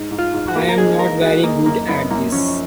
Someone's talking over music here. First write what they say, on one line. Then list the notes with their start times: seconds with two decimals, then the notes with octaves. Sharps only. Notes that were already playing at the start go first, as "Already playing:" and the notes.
I'm not very good at this.
Already playing: G#2
0.11 G#2
0.19 F4
0.33 G#2
0.48 F#4
0.56 A#3
0.69 A#4
0.77 D#4 G#4
0.99 G#3 A#4
1.22 F#4 G#4
1.44 A#3 D#4
1.66 F#2 A#3
1.88 F#2 B3
2.11 F#2 A#3
2.32 F3 C#4